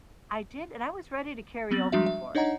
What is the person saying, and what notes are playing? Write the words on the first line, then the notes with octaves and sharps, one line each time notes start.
I did, and I was ready to karaoke for it.
F#3 B3 C4 A6 F#7
F3 G3 G#3 D4 F#4 E5
E5
D4 D#4 C#5 D#5 F#5 A#5